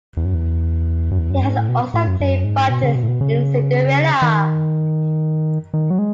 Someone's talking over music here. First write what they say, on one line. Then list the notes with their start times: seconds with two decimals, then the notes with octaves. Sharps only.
He has also played Buttons in "Cinderella".
0.17 E2
0.25 F#2
0.34 E2
1.11 F#2
1.19 E2
1.30 F#2
1.43 G#2
1.56 A2
1.69 B2
1.94 A2
2.07 F#2
2.20 F#2
2.44 G#2
2.70 B2
2.83 C#3
2.95 B2
3.03 A2
3.08 B2
3.21 C#3
4.22 D#3
5.74 D#3
5.91 F#3
5.99 G#3